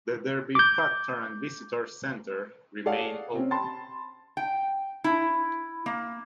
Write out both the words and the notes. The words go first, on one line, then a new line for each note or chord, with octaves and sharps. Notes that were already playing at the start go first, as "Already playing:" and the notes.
The Derby factory and visitor centre remain open.
D6 G6
G#4 A4 C#5 D5 F5 F#5
C3 C4 C#4
A5 B5 C6 A6
G5
E4
A#3